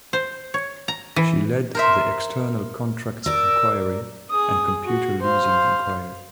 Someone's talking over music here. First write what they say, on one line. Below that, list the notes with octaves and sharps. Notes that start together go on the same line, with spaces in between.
She led the External Contracts Inquiry and Computer Leasing Inquiry.
C5
C#5
A#5
E3
A#4 C5 E5
A#4 D5 E6
G#4 D#6
F#4
C5 F5